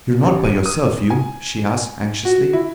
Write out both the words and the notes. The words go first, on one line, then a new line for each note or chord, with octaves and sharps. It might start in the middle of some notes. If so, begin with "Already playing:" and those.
"You're not by yourself, Hugh?" she asked anxiously.
A1
D#7
D#6
G#5
F#4
E4